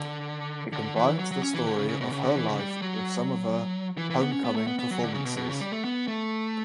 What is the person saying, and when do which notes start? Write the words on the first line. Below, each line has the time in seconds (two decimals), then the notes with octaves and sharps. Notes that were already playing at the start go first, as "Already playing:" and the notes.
It combines the story of her life with some of her Homecoming performances.
Already playing: D3
0.72 D3
0.96 E3
1.19 F#3
1.31 F#3
1.42 C#4
1.54 E3
1.66 D3
1.78 C#3
1.88 C#3
2.01 B2
2.12 C#3
2.24 D3
2.36 E3
2.48 C#3
2.59 G3
2.82 F#3
3.98 E3
4.10 E3
4.22 B3
4.32 C#4
4.44 B3
4.56 A3
4.67 B3
4.79 B3
4.91 F#3
5.03 D3
5.14 C#3
5.25 B2
5.37 B2
5.49 C#3
5.60 G3
5.72 A3
5.84 B3
6.08 A3